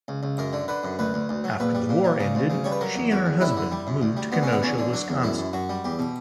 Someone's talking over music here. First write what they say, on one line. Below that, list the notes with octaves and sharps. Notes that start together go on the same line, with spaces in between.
After the war ended, she and her husband moved to Kenosha, Wisconsin.
C#2
C#2
F#2 A#4
D3
D3 B4
F#2
D2 B4
D2
D2
F#3
A#1 B4
G3
A#2
G3
C#3
D2
C#3
G3 C#5
B4
F#3 A#4
E2
E2 F#4
E2
G3 E4
D3
G3
F#2
D2
G3
D2 B3
D3 C#4
B3
E2 C#4
D3
F#3 D4
E2
F#2 E4
F#2
F#2 F#4
G3
E2 G4
B2